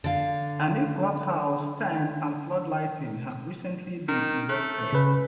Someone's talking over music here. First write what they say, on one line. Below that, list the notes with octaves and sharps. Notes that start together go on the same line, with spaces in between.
A new clubhouse, stand and floodlighting have recently been erected.
D3 F5
D#3
A3
C#3 C#4 B4